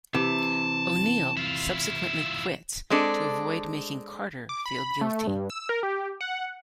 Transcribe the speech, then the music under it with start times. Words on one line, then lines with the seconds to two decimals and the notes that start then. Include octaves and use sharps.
O'Neill subsequently "quits" to avoid making Carter feel guilty.
0.14 C3 E3 A5
1.37 E4 F4
2.90 G#3 C4 D4 A4
4.49 D6
4.66 B5
5.01 A3
5.27 G2
5.50 E6
5.69 A#4
5.83 G4
6.21 F#5